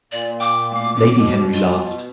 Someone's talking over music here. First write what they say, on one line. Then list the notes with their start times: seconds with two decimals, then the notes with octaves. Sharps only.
Lady Henry laughed.
0.12 A#2 D5
0.40 G5 D6
0.72 A2 F5
0.95 D#3 C#4 E4
1.16 B2 F#3 G3
1.53 F4